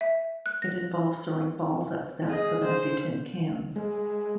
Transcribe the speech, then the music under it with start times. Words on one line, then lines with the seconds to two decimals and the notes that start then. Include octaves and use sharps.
It involves throwing balls at stacks of empty tin cans.
0.01 E5
0.46 F#6
0.62 A#6
2.27 G#4 D#5
2.64 C5
3.76 G#3